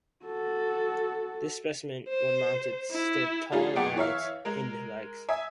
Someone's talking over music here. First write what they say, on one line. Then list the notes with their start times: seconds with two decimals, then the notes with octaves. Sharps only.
This specimen, when mounted, stood tall on its hindlegs.
0.25 F#4 A4
2.09 C5
2.91 E4
3.52 F3 G3 A3 D#4 F4 G#4
3.76 F#1 B3 G#4 D5 F#5 G5
3.96 E3 C#5 E5 F5
4.45 G#3 A#4
5.29 E5 G#5 D#6